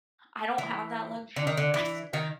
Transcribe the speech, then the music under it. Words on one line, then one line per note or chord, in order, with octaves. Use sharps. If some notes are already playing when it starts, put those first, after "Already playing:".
I I don't have that luxury. I sta
E3
D3
D#3
D3
E3
D#3